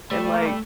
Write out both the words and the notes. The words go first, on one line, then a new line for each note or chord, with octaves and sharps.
And like
G3 A3
G3
A#3
G3